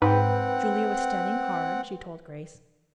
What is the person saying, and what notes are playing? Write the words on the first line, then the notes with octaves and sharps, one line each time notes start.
Julia was studying hard, she told Grace.
G#2 C4 B4 F#5 G5